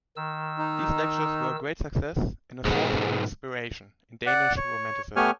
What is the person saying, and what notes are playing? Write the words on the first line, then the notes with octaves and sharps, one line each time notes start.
These lectures were a great success and a source of inspiration in Danish romanticism.
D#3 E6
D#4
B1 G#2
D5 F#5
C#5
A3 B3 G4 C#5 G#5 F6